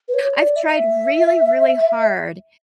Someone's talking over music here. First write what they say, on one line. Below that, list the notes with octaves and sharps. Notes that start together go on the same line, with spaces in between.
I've tried really, really hard
B4
C#5
D5
E5